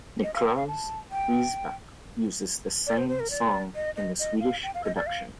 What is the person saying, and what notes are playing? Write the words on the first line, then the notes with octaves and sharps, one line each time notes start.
Niklas Riesbeck uses the same song in the Swedish production.
D#5
F5
G5
F5
A5
G5
D5
C5
C5
A#4
D5
D#5
D#5
D#5
F5
G5
F5
D#5
D5
F5